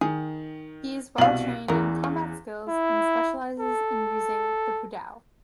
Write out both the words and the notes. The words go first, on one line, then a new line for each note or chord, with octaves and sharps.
He is well-trained in combat skills and specialises in using the pudao.
D#3 G#4
C2 B2 D5 F5 F#7
E2 C#3 E3 A#4
C#3
E4
A4